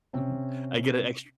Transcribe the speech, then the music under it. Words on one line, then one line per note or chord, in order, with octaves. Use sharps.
Mhm, I get it extr
C3 C4 C#4